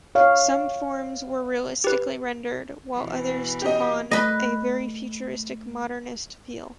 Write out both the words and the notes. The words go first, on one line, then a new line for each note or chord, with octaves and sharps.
Some forms were realistically rendered, while others took on a very futuristic, modernist feel.
C#5 F5
G4 B4
B2 E3
G4 D#5
A3 B4 D#5